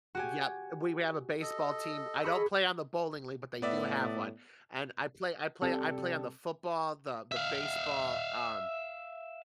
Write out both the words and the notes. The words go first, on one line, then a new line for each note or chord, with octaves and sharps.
Yep. Uh, we we have a baseball team, I don't play on the bowling league, but they do have one, and I play I play I play on the football, the the baseball, um,
F#4 G4 G#5
A4 D#5
G#4 B5 C#6
A2 B3 D5 E5
C3 G3 A4
E5 F5